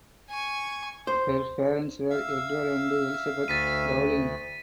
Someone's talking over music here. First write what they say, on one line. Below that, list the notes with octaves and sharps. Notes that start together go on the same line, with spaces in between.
Her parents were Edward and Elizabeth Dowling.
G#5 C#6
C5
E5 F5 E6
D2 A6 B6 D#7